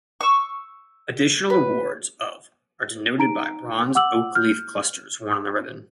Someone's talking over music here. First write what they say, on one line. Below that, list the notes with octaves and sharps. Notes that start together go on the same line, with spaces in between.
Additional awards of are denoted by bronze oak leaf clusters worn on the ribbon.
C#6 E6
B4
D#4 A#5 D7
F#5 D6 E6 F#7
F6 G6